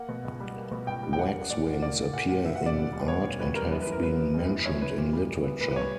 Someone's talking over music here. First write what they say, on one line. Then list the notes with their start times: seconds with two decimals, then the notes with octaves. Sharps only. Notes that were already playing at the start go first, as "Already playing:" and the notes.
Waxwings appear in art and have been mentioned in literature.
Already playing: A#3 F#5
0.09 B2
0.25 C#2
0.40 G3
0.56 A#3
0.71 B2
0.87 C#2 G5
1.03 G3
1.13 G5
1.19 A#3 F#5
1.35 A#3
1.50 A#2 D5
1.66 A#2
1.82 A#3 D5
1.98 A#3
2.13 A#2 F#5
2.29 A#2 F#5
2.45 B3 E5
2.55 F#5
2.61 B2 D5
2.76 C#2
2.93 G3
3.02 B4
3.08 B3 C#5
3.24 B2
3.39 C#2 B4
3.55 G3 A#4
3.71 F#2 B4
3.82 B4
3.87 E3
3.92 A#4
4.03 F#2 B4
4.19 B3
4.34 F#2
4.50 E3
4.66 F#2 C#5
4.81 B3 B4
4.98 A#2
5.13 G3
5.29 A#2
5.45 B3
5.60 A#2 B4
5.71 B4
5.76 G3 C#5